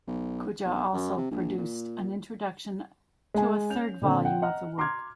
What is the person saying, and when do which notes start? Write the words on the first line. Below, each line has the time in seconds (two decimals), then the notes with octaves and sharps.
Kujau also produced an introduction to a third volume of the work.
0.07 B1
0.66 B1
0.93 F#2
1.17 C3
1.31 A#1
1.58 A#2
3.34 G#3 G#5
3.70 C#4 G6 F7
4.02 A#2 D3 C4
4.25 F#5 G5
4.42 D#5 F#5 A#5 F6
4.78 A#5 C6 D6 F6 G#6